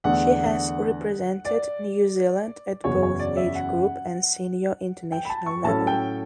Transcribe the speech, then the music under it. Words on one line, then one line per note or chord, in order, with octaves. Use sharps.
She has represented New Zealand at both age group and senior international level.
E2 D3 A3 D4 F#5
D5
F#1 E2 C#3 F#3 C#5
C#5
D5
E5
F#5
G5
B5
A5
C#6
A2 F#3 C#4 E4 A4 A5
G5